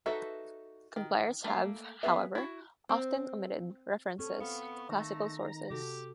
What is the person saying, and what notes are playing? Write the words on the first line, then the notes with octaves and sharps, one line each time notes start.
Compilers have, however, often omitted reference to classical sources.
D#4 F#4 A4 B4 E5
D#3
A3 A#3 F5
B3 G#4 B4 E5
E4 F#4
C4
C4 C#4 A4
B3 F5 C#6
D#3 A3 A#5
C3 F#4 G4 A4